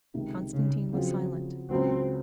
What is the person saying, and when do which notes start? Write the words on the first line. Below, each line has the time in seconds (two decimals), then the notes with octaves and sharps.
Konstantin was silent.
0.14 C#2 C3 D#3
0.54 C#3
0.93 C#3 F3 F#3 C4 F4 G#4
1.71 C#2 C#3 F#3 C4